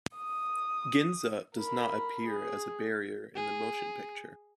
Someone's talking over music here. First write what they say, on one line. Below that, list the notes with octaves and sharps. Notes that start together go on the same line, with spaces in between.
Ginza does not appear as a barrier in the motion picture.
D#6
A#4 B5
G#4
G#4